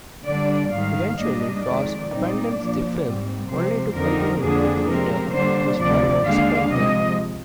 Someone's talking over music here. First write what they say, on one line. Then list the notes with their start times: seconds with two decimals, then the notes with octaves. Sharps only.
Eventually Ross abandons the film, only to continue it later: his wife is pregnant.
0.26 D3 G3 D4 D5
0.72 G#2 D#3 G3 F5
1.18 G#2 G3 A#3 D4 D#5
1.64 F2 D#3 G#3 D5
2.11 A#2 G3 C4 D#4 D5
2.56 A#2 F3 A#3 D4
3.03 G#2 G3 C4
3.49 C3 F3 G#3 C4 C5
3.95 F2 D3 F3 C4 D#4 A#4
4.41 F2 D3 F3 A#3 D4 G#4
4.87 C3 F3 G#3 C4 A#4
5.33 D3 G3 A#3 D4 C5
5.80 D2 C3 F3 D5
6.25 D#2 D3 G#3 D4 F5
6.72 C3 F3 G#3 D#5